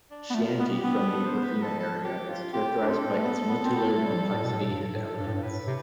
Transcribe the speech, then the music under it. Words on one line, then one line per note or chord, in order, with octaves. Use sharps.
Chianti from the Rufina area is characterised by its multi-layered complexity and elegance.
D4
B3
A3 F4
B3
G4
B3
A4
C5
B4
A4
A4
G4
F4
C4 G4
D4
C4 A4
A3
B3
B3
C4
B3
A3
G3
F3
G3
A2
B2
A2
G2 A4
A2
A4
G2
A2
G2
A2 B4
C3